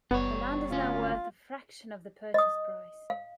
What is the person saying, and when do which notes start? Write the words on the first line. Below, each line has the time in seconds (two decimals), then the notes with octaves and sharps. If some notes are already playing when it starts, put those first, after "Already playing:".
The land is now worth a fraction of the purchase price.
0.11 F#1 G3 B3 C#5
0.71 D2 C#4 F4
2.34 D#5 D#6
3.10 F5